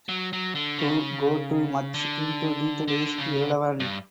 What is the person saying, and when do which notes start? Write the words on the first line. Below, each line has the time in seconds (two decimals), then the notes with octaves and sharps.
To go too much into detail is irrelevant.
0.09 F#3
0.33 F#3
0.55 D3
0.78 C#3
1.94 D3
2.88 D3
3.18 C#3
3.80 G2